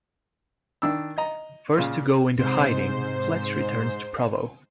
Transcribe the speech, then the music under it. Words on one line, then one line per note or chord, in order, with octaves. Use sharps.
Forced to go into hiding, Fletch returns to Provo.
D#3 D4 E6
D#5 A#5
A#2 C#3 F4
G#2 C3 C5